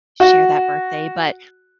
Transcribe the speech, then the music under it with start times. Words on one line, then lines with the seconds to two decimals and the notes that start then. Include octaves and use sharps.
share that birthday, but
0.20 F#4